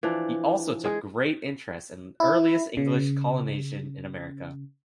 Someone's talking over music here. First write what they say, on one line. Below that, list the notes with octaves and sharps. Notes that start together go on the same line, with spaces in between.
He also took great interest in the earliest English colonization in America.
E3 F3 D4
G#3 G#4
E4
C#3